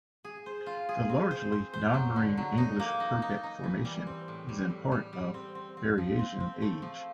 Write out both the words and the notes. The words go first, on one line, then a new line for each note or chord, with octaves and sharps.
The largely non-marine English Purbeck Formation is in part of Berriasian age.
G#4
C5
F4
G#4
C4
C5
C5
C5
F#3
D3
F#3
D#4
A#3
D#4
D#4
D#4
E3
G3
C4
A2
G3
A2
G3
G3
C4
C4
C4
F3
C4
C4
A3
F3